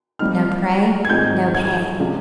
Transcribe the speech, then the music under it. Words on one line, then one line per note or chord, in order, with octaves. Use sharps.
No prey, no pay.
A#2 G3 C4 D#4 F6
G#6
G#2 D#3 G#3 C4 D#4 G6
G#6
C3 F3 G#3 C#4